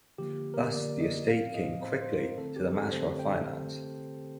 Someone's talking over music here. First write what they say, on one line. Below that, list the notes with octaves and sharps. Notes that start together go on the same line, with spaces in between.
Thus the estates came quickly to the matter of finance.
D3 F3 A#3 G4
A#4
D3 F3 A#3 D5
D#5
A2 F3 C4 F5
D#5
A2 F3 C4 C5
C5
A#4
D3 A3 C4 A4
G4
A4
D3 A3 C4 C5
G5